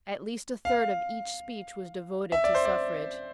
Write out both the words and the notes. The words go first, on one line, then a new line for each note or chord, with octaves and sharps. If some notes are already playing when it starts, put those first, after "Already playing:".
At least a third of each speech was devoted to suffrage.
F5
E5
D5
C5
D5